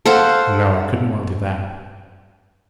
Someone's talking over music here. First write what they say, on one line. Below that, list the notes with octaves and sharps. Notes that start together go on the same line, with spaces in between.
No, I couldn't well do that.
A4 C5 F5 F#5